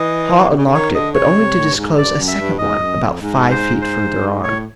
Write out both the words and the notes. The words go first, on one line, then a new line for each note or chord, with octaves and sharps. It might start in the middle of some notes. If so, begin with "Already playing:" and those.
Haw unlocked it, but only to disclose a second one about five feet further on.
Already playing: E3 D#5
C3
C#3
D3
D#3 C#5
D3 D#5
C#3 C#5
C3
A2
G2
G#2
G2 D5
F#2
E5
G2
G#2 D#5
F#2
F2
G#2
C5
C5
A2 C#5